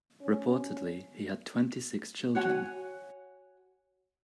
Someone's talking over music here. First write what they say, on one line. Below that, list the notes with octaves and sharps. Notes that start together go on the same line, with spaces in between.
Reportedly, he had twenty six children.
C#4
F#4 C#5 F#5 G#5